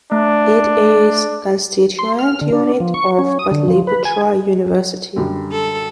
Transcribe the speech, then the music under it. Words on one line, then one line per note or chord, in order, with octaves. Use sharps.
It is constituent unit of Patliputra University.
A3 D4
C6
F6
D3
D4
F3
C#6
C#4
D#6
D3
F3
B4
G#5
F#2 D3 G3
A4